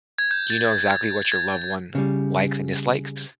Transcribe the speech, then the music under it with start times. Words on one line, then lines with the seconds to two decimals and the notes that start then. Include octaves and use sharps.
do you know exactly what your loved one likes and dislikes?
0.18 G#6
0.31 G6
0.50 A6
0.88 G#6
1.32 G#6
1.95 C#3 G3